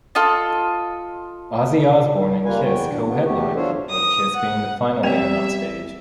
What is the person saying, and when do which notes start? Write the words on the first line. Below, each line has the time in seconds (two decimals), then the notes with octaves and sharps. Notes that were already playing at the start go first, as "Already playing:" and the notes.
Ozzy Osbourne and Kiss co-headlined with Kiss being the final band on stage.
0.15 F4 A4 D#5 A5
2.45 D#3 G3 A#3 F4 B4 G#5
2.65 E2 F#4 G5
2.90 B2 D4
3.07 C3 B3
3.25 E2 A3 F#4 G4
3.56 F#3 D4 F4 A4 C5 C#5
3.90 D#6
4.35 F#5
5.03 G3 B3 C4 E5 G5